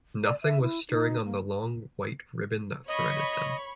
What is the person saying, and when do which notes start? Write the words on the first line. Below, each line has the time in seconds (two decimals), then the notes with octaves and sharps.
Nothing was stirring on the long white ribbon that threaded them.
0.24 D5
0.43 E5
0.62 E4
0.89 D#4
1.25 A#3
2.88 C#5 D#5 B5 C#6